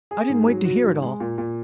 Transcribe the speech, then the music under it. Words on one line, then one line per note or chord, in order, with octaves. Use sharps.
I didn't wait to hear it all.
G#4
G#2
F#3
F#4
G#2
G#3
A#2
A#2